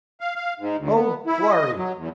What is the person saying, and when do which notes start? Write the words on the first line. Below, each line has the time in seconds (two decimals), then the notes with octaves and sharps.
Oh, glory!
0.21 F5
0.36 F5
0.60 G#2
0.78 D2
0.94 B3
1.27 E4
1.51 D#5
1.77 F#3
1.97 E2